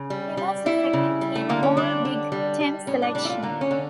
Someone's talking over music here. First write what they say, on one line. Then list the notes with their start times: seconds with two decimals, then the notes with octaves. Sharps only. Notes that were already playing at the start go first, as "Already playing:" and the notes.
He was a Second Team All-Big Ten selection.
Already playing: C#3
0.10 G3
0.37 G3
0.66 G3 E4
0.93 C#3
1.21 G3
1.35 A3
1.49 D3 A#3
1.63 C#4
1.77 G3 D4
2.05 D3
2.32 G3
2.60 G3
2.87 A2 C#4
3.02 D4
3.15 G3 D4
3.25 E4
3.29 F4
3.43 D3 A#3
3.61 C#4
3.71 D3